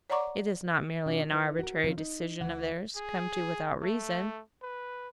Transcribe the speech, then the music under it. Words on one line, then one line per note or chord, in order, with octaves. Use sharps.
It is not merely an arbitrary decision of theirs, come to without reason.'
C#5 D5 F#5 A#5 C#6 D6
B2 D4 F4
D#4 E4 A#4 B4
F#4 A#4
C#3 F3 C4 D#4 A#4
D#4
D2 E3 F#5
G#4
A3
B4